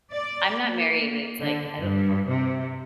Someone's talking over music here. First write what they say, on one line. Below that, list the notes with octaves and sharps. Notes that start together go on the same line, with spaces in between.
I'm not married, but it's, like, I don't
D5
A#3
D3
G2
C3